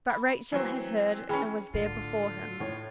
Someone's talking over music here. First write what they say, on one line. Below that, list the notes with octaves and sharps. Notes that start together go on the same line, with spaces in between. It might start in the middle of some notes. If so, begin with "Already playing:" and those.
But Rachel had heard and was there before him.
B5
E3 F#3 C4
E3 C#4 G#4 G5 B5
A2 D3 F4
A2 C#5